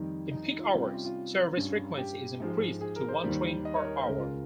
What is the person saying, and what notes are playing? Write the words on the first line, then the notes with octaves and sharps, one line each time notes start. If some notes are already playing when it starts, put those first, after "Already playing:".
In peak hours, service frequency is increased to one train per hour.
Already playing: F2 D#3 G3 D#4
D#4
D#4
F4
C3 G3 C#4 F4
G4
F4
F4
G2 G3 C#4
G4
G#2 F3 G#3
G#4
A#4
C5
D#2 D#3 G3 A#3
D#5
C#5
A#4
C5
C#2 C#3 G#3 A#4
F4